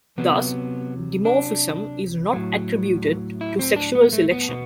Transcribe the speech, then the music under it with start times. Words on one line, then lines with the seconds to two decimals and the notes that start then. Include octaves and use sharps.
Thus, the dimorphism is not attributed to sexual selection.
0.18 C3 F#3 B3
1.25 D4
2.33 A2 F#3
3.41 E4
3.59 C4
3.76 D4
3.95 B3
4.13 A3
4.31 B3
4.48 B2